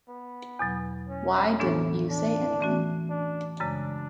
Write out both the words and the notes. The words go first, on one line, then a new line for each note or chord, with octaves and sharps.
Why didn’t you say anything?
B3
E2 B2 F#3
C#4
A2 E3 B3 D4 A4
D4
E3 A3 C#4 F#4
D4
F#2 C#3 G#3 D4